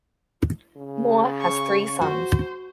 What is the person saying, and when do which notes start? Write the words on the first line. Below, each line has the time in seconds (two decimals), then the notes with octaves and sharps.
Moore has three sons.
0.76 C#3
1.41 C#6
2.01 F#4 C5